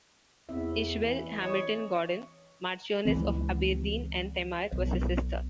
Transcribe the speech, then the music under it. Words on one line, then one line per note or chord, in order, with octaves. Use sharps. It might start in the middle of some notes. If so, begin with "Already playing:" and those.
Ishbel Hamilton-Gordon, Marchioness of Aberdeen and Temair, was his sister.
E2 C4 E4 E5
E3
C#5 D#5
C#2 E3 C4
B1